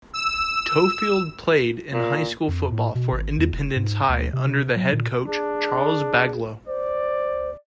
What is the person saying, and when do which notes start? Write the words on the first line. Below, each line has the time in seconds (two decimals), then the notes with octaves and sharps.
Toefield played high-school football for Independence High under head coach Charles Baglio.
0.13 E6 E7
1.93 A#2
2.48 F2
2.72 A2
2.95 B2
3.12 G#1
3.39 E2
3.52 F1
3.76 G#2
4.09 D2
4.33 C3
4.76 F#3
4.93 A#2
5.27 D4 G#4
6.67 C5 D5